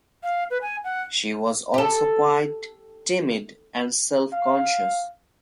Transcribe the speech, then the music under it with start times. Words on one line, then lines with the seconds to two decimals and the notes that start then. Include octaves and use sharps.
She was always quiet, timid, and self-conscious.
0.23 F5
0.50 B4
0.62 G#5
0.84 F#5
1.74 G4 A4
4.33 F5